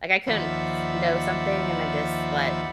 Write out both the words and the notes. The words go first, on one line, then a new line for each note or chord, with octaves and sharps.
like, I couldn't s know something and then, just, let
D#2 F3 D5 E5 F#5 B5